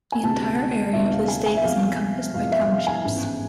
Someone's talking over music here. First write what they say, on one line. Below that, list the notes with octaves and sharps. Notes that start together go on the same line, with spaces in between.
The entire area of the state is encompassed by townships.
G#5
D2 C3 G#3 B3 A5
D2 C3 G#3 B3 E5
F5
G#5
G#5
E5
F2 C3 G#3 B3 F5
F2 C3 G#3 B3 F5
E5
F5
G#5
A1 G#2 G#3 B3